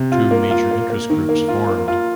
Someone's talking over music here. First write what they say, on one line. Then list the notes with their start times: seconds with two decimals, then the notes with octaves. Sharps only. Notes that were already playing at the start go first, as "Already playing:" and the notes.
Two major interest groups formed.
Already playing: C3
0.12 F4
0.31 A#3
0.51 F4
0.71 A#3
0.90 A#3
1.10 D#3
1.29 A#3
1.48 F4
1.68 A#3
1.88 F4